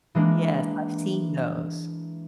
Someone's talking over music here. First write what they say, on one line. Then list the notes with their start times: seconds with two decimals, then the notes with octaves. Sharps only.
Yes, I've seen those.
0.15 E3 G#3 A#3 D4